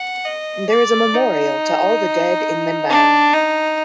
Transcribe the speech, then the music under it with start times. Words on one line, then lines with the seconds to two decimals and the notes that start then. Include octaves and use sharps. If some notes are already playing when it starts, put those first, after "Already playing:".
There is a memorial to all the dead in Limbang.
Already playing: F#5
0.25 D#5
0.70 D5
1.14 D#4
2.90 D4
3.34 D#4